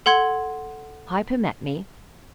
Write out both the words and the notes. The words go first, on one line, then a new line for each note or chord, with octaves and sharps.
Piper met me.
A4 F#5 C6 G#6